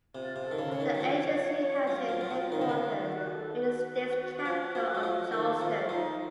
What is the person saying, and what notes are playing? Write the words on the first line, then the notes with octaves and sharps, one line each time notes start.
The agency has its headquarters in the state's capital of Charleston.
C3 F4
C3
A4
D#3
C#3
C#3 C#5
D#3
F#3
F3
F#3 F4
F3
F#3 F4
F3
F4
D#3 D#4
C#3
D#3 F4
F#4
A4
F#4
F3
F3
F#3
F3
D#3 A4
F3 F4
F3 D#4